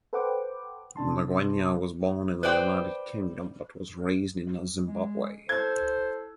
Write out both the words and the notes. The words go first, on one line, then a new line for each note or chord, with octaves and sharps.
Ngwenya was born in the United Kingdom but was raised in Zimbabwe.
A4 B4 C5 F#5 G5 D6
C3 D4 A5 C6
B4 C5 D5 G5
G#3
E4 A4 C5 E6 G#6